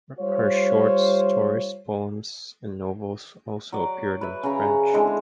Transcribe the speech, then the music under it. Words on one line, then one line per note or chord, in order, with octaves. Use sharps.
Her short stories, poems, and novels also appeared in French.
G3 F4 C5 C#5
F#3 D5
B4 E5
C#3 F#5 A#5 B5
D3 E3 G#3 C4